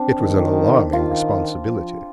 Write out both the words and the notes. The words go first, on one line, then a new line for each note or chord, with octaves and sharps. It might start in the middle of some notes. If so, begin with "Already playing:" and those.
It was an alarming responsibility.
Already playing: C4 D4
D#3
D#3 F4
F3